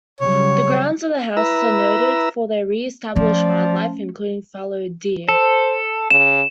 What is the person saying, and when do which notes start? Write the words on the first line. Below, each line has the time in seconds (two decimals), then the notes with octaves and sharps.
The grounds of the house are noted for their re-established wildlife, including fallow deer.
0.20 C#3 F#3 G3 C#5
1.37 E4 B4 A#5 E6
3.16 F3 A3 C#4 D5
5.29 A4 C5
6.10 C#3 E7